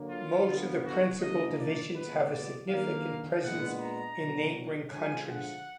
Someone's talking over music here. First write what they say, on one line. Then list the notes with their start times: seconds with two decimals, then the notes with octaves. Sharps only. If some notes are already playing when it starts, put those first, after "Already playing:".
Most of the principal divisions have a significant presence in neighboring countries.
Already playing: D3 F#3 A#3 D4
0.10 F4
0.47 D3 F3 B3
0.84 F#4
1.21 D3 F3 A#3 D4 D#5
1.58 D5
1.95 A#2 G#3 B3 B4
2.33 D5
2.70 D#3 A#3 D4 F5
3.44 A#2 G#3 B3 D4 F#5
3.81 A#5
4.19 B2 F#3 D4
4.93 D3 F3 G#3 D4 G#5
5.30 F#5